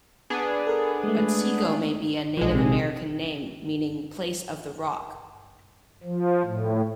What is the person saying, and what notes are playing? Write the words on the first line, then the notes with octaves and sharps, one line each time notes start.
Otsego may be a Native American name meaning "place of the rock".
B3 D4 G#4
A4 A#4
G#3 A3
B1 D3 F3 G#3
A#1 C3
F3
A2